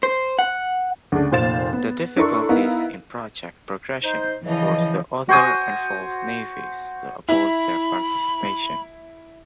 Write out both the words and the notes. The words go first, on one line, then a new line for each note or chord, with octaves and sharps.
The difficulties in project progression forced the other involved navies to abort their participation.
C5
F#5
D2 C#3 D4
F1 A#2 C5 F5 A6 E7
B3
D4 E4 A4 A#4 C6 C#6
B3 D#4 E4 A#4 F5
D#4 C5
C#3 E3 F3 D#5
F#4 C5 G#5 D#6
E4 B5